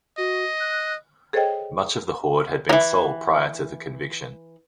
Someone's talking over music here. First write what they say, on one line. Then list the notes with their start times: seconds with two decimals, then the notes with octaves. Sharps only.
Much of the hoard had been sold prior to the conviction.
0.18 F#4 D#5
0.60 F#6
1.33 G#4 A4 C5 C#5 D#5 G5
2.69 E3 F#3